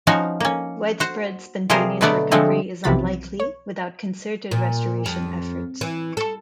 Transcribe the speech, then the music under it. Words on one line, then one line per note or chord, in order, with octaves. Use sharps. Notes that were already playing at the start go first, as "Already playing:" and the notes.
Widespread spontaneous recovery is unlikely without concerted restoration efforts.
F3 C#4 D#4 F#4 F5
A#3 C#4
F#4 C5
C3 F3 G3 G#4 A#4 C5
B2 D3 F#3 A3 B3 D5
D3 F3 G#3 A3 C4
B1 C3 E3 F3 B5 A6
C#5
A#2
F2
E3
A4